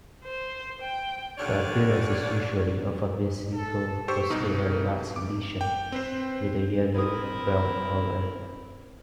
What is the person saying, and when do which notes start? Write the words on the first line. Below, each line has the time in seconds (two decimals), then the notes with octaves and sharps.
The appearance is usually of a vesico-pustular waxy lesion with a yellow brown colour.
0.24 C5
0.82 G5
1.38 D#2 D3 C#5 D5
3.54 A4
4.08 G4 C5 C#6 E6
4.30 C2 B2 D#4
5.16 D6
5.61 G5
5.92 C4 B4 C5
6.94 C4 D#4 E4 A4 A#4 D#6